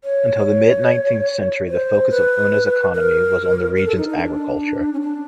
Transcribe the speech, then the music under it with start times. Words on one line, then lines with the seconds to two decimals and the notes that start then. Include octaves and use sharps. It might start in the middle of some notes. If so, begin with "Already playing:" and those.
Until the mid-nineteenth century the focus of Unna's economy was on the region's agriculture.
0.04 C#5
1.70 C5
2.11 B4
2.94 A#4
3.76 A#4
3.87 A4
3.97 D#4
4.08 D#4
4.18 D4
4.93 C#4
5.01 D4